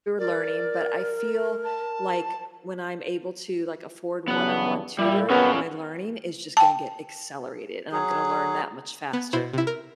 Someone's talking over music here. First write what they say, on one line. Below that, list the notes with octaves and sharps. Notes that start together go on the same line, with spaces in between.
we were learning but I feel, like, when I'm able to, like, afford one-on-one tutor, my learning is just gonna get accelerated, and I'm gonna learn that much faster.
A#4 D5
A5
G2 C#3 F#3 B3 F#5
A#2 G3 E4
F2 A#2 C#3 B3 C#4 A#4
G5 A5
F#3 G#4
B3
B2 E4 C5 B5
C3 E4
A#4